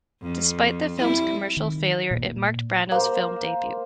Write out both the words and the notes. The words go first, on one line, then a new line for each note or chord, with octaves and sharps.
Despite the film's commercial failure, it marked Brando's film debut.
F2
G3 C4 E4
D#3
A#2
A#3 C5